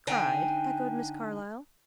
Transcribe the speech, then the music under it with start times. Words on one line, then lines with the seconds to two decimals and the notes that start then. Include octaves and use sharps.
"Cried?" echoed Miss Carlyle.
0.07 D3 D#4 G5 G#5